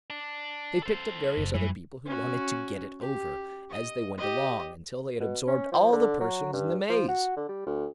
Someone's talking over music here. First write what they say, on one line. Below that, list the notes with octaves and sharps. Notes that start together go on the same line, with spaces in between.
They picked up various other people who wanted to get it over, as they went along, until they had absorbed all the persons in the maze.
D4
A4 C5
F#1
F#2 E3 G3
C#4 F#4
G4
D#5
G4 D#5
B2
C#4
F3
D3
F#3
G2
F3
F#4
D3
G3
D2